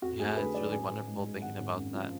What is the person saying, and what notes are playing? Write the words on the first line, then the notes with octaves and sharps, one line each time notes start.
Yeah, it's really wonderful thinking about that,
F2 F#4
A3 G#4
D3 B4
F#3 D5
A1 G#5
A1
G#2
G#3
G#1 F#5
G#1
F#2
F3